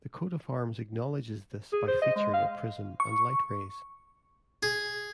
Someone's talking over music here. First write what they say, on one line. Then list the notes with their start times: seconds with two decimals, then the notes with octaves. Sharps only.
The coat of arms acknowledges this by featuring a prism and light rays.
1.73 G#4
1.88 C5
2.02 D#5
2.16 G#3
2.34 F5
3.00 C#6
4.63 G#4